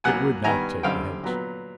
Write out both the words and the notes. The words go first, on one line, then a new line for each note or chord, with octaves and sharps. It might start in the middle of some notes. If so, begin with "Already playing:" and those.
It would not take the hint.
C#2 B2 F#3 A#3 F#5 G#5
G2 D#3 G3 B3 G#5 A#5
F#2 D3 G3 C4 F5 G5
A#2 F#3 B3